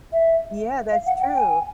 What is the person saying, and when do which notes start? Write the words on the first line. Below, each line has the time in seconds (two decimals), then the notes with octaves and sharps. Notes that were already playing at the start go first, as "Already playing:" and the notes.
Yeah, that's true.
0.12 E5
0.92 F5
1.06 F#5
1.21 G5
1.36 G#5